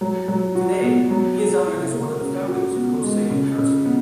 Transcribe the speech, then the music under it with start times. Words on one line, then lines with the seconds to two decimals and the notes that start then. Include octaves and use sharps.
Today, he is honored as one of the founders of Hosei University.
0.01 F#3
0.28 F#3
0.55 F#4
0.83 B3
1.10 F#3
1.38 G#4
1.66 E4
1.93 A#3
2.20 C#3
2.48 F#4
2.76 B3
3.03 G#3
3.30 C#3
3.58 C#3
3.85 B3